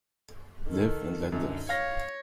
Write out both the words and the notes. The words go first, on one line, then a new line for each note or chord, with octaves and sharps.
Live and let live.
D#3 A4
F#2 D3 D#4
C#5 F5 A#6